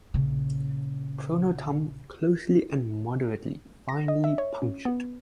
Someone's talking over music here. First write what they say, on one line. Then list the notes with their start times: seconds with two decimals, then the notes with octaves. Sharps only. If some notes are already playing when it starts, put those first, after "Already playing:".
Pronotum closely and moderately finely punctured.
0.14 A#1 C#3
3.89 A#6
4.08 D#5
4.24 E5
4.38 C#5
4.62 C#4
4.85 B3